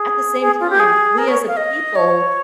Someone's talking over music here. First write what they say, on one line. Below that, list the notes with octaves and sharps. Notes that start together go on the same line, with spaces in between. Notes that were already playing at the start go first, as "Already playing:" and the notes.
at the same time, we as a people
Already playing: G#4
G#4
F4
G4
G#4
A#4
C#5
F5
D#5
C#5